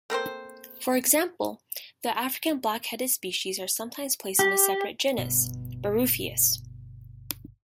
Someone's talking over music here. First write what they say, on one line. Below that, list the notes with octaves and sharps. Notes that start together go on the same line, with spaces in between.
For example, the African black-headed species are sometimes placed in a separate genus, "Baruffius".
A3 A#3 C4 C5
G4
G1 B2